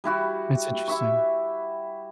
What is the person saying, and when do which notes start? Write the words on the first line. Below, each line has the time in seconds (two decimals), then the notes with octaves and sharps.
That's interesting.
0.04 G3 E4 F#4 G4
0.88 E4 E5 C#6